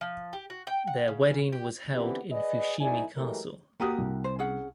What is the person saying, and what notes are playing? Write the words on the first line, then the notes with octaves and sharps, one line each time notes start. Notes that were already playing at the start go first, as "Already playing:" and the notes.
Their wedding was held in Fushimi Castle.
F3
G4
F#4
G5
F#5
C#3
G4
D3 E3 B3 C4 G4
G#4 B4 D5 D#5
C2 D#4 E4 D5 G#5
E3 F#3 G#3 A3 G4 A#4
A#3 F#4 G4 A#4 D#6
C2
C5
C#4 G#4 F#5